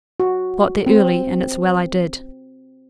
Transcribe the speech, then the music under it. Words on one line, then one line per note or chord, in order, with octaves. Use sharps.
I got there early, and it's well I did.
F#4
C4